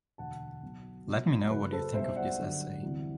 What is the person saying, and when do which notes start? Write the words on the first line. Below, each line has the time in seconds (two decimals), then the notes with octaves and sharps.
Let me know what you think of this essay.
0.18 E1 D2 D3 F#5 A5
0.63 B1 B2 F#3
1.06 B1 B2 F#3
1.50 F#1 F#2 F#3 B4
1.72 A4 C5
1.94 B1 B2 G3 C5 E5
2.16 D5 F#5
2.38 G1 F#2 D3 G3
2.82 D2 C3 E3 G3